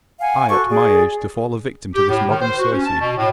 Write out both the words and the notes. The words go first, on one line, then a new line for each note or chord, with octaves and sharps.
I, at my age, to fall a victim to this modern Circe!
F5 F#5 G#5
F#4 A4 C#6 D6
G#4 D5
G4
A2
D#3
C5
F#4
C#4
A5
B2
A2